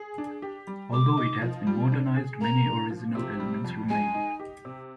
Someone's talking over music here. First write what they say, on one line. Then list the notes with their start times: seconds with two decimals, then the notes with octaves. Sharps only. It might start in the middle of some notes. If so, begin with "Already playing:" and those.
Although it has been modernised, many original elements remain.
Already playing: G#4
0.18 D4
0.42 G4
0.67 G3
0.92 G#3 D6
1.17 D#4
1.42 F3
1.67 G3
1.92 D4
2.16 G#4
2.41 A#3 A#5
2.66 D4
2.90 F3
3.15 C3
3.40 G3
3.65 F2
3.89 G#3 G#5
4.14 D#4
4.40 G4
4.65 C3